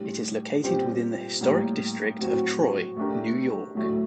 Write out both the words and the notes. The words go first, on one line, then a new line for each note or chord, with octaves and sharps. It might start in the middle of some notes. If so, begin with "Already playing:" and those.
It is located within the historic district of Troy, New York.
Already playing: A2 G3 D4 G4
A#2 G3 C4 G4
A2 G3 A#3
A2 F#3 C4 F#4
A3 D4 G4 A#4
A2 F#3 A3